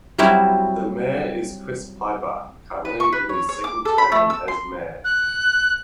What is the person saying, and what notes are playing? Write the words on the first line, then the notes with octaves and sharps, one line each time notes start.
The Mayor is Chris Pieper, currently in his second term as mayor.
F#3 G3 C4 E4 F#4
B4
C#6
B4
C#5
C#5
D6
A4
B5
A3
E6
C6
F#6